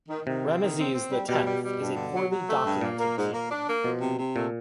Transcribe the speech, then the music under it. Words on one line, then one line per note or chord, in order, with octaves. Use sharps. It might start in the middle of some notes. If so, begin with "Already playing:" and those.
Ramesses the Tenth is a poorly documented king.
D#3
C3 D#3
C4
D#3
C4
C4
G3
B2 G3
G3
G3
G2
D3
F#3
F#3
A3
G2
A#2 A#3
A#3
G#2
A#3
D4
A#3
B2 F3
C3
C3
A#2 A3